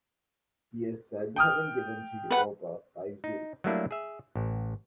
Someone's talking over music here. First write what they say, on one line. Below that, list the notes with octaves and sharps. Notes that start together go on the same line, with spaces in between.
He is said to have been given to Europa by Zeus.
G5 D#6 F6
B4 F#5
D#4
F#3 G3 A3 A#3 D4 E4
G#4 E5
A1